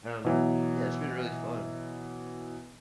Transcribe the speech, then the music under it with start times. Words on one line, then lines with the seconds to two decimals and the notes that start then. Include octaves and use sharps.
um, yeah, it's been really fun.
0.25 B2 E3 F#3